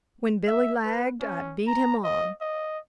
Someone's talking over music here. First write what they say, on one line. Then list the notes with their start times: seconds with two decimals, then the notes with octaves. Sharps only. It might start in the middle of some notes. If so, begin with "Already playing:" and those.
When Billy lagged I beat him on.
0.47 E5
0.85 B4
1.21 C#4
1.67 A#5
2.04 D#5
2.41 D#5